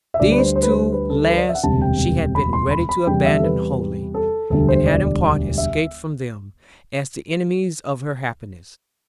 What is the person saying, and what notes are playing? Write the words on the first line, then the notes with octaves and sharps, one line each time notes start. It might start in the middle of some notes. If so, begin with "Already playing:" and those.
These two last she had been ready to abandon wholly, and had in part escaped from them, as the enemies of her happiness.
E5
D2 D3 G3 D5
B4
C5
C5
B4
C5
B4
A4
B4
D5
E5
F#5
E1 D2 C3 G3 A5
G5
B5
C6
B5
B5
E2 C3 G3 G5
E5
A4
B4
A4
E1 D2 D3 G3 A4
C5
D5
E5